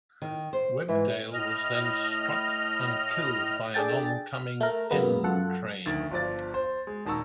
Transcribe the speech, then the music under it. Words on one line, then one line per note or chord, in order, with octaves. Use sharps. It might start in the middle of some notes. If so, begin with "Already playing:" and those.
Webdale was then struck and killed by an oncoming N train.
D#3
C5
G#2 E3
A2 D#5 F6
D4 G#4 A4 G5 A6
F6
A3 A#4
F#2 B2 G#3 A#3 B3
F#2 F4 A4 F#5
D2 D#3 A6
G1 F3 D5 A6
C5
G#3
D#1 D#3 A5 A#5 C#6 E6